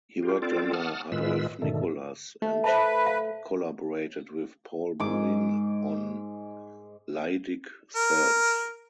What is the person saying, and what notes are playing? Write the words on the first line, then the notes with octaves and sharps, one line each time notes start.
He worked under Adolph Nicolas and collaborated with Paul Bouin on Leydig cells.
F4 G4
C4 F4 A4 D5
F#5 A5 D#6 F6
A2 D#3 G#3 F4 B4 E6
G#2 B2 D3 D#3 A3
A3
B4 C5 E5 A5
F5
G#2 D6
A#4